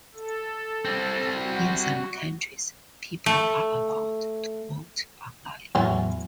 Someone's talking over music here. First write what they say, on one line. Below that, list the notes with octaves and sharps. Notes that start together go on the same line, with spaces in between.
In some countries people are allowed to vote online.
A4
G3 C4
F#4
A3
E2 A2 E3 F#3 B3 C#4